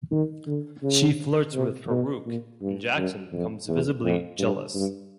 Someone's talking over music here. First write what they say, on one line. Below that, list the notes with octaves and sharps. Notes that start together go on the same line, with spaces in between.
She flirts with Farooq and Jackson becomes visibly jealous.
D#3
D3
C#3
C3
B2
A#2
G2
F#2
F2
E2
F2
G2
G2